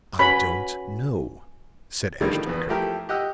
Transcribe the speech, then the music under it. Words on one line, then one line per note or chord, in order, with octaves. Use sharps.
"I don't know," said Ashton-Kirk.
C#4 F#4 B4 B5
A2 D3 D#3 F3 G3 A#3
E2 B3
F3 A3 E4 G4 A4 A#4
G4 D#5 F#5 E6